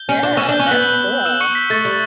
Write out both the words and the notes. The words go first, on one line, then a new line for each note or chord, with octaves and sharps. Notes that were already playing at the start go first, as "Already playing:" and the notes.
Yeah, that's cool.
Already playing: G6 G7
C#4
D4
C#4 E6 E7
D4
G6 G7
C#4
B3 F#6 F#7
F#6 F#7
E6 E7
C#6 C#7
B6
A3 A6
G3